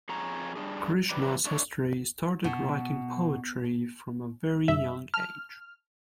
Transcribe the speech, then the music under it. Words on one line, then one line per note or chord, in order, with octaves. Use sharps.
Krishnasastri started writing poetry from a very young age.
F2 G#4 C#5 A#5
G3 G#3 D4 G#4
E3 F#3 G3 B4 D5
A3 D4 C#5
B2
F#2 C3 G3 E5
A5 F6